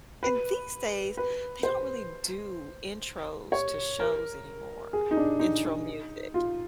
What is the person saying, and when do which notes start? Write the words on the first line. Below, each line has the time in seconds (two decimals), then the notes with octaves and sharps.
And these days, they don't really do intros to shows anymore. Intro music.
0.23 B4
1.17 B4
1.63 C5
3.52 C#5
4.00 A#4
4.93 G#4
5.11 D#4
5.17 D4
5.40 D#4
6.34 F4